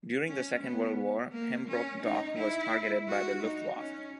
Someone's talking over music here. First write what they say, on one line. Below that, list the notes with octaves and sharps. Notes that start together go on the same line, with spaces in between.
During the Second World War Pembroke Dock was targeted by the Luftwaffe.
C#4
B3
A#3
C#4
D#4
E4
F#4
D#4
C#4